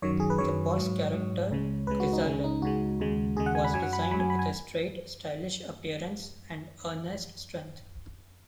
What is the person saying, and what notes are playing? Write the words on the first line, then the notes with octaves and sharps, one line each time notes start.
The boss character, Krizalid, was designed with a straight, stylish appearance and earnest strength.
F#2 D#3 F#3 C#5
G#4
B4
F#2 D#3 F#3 C#5
G#2 F#3
G#2 F#3
C#2 C#3 G#3
C#2 C#3 G#3 B4
F#4
D#4
C#2 C#3 G#3 C#4
D#4
C#2 C#3 G#3 F#4
D#2 C#3 G#3
D#2 C#3 G#3 G#4
F#5
G#5
B5
F#2 F#3 G#5
F#5
B5
G#5
F#2 F#3 B5
G#5
B5
G#5